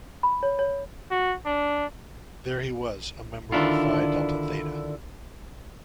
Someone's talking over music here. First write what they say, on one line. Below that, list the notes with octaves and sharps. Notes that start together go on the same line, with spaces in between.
There he was a member of Phi Delta Theta.
B5
C#5
C#5
F#4
D4
D3 D#3 D4 E4 F4